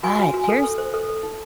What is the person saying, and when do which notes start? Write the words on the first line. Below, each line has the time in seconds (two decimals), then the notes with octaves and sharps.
But here's
0.03 F#4 G#5
0.19 F#4 G#5
0.34 F#4
0.44 A4 G#5
0.64 A4
0.78 C5
0.94 A4
1.09 A4
1.23 D#4